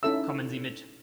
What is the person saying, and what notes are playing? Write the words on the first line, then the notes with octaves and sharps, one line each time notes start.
Kommen Sie mit.
C#4 D#4 E4 A4 E5 E6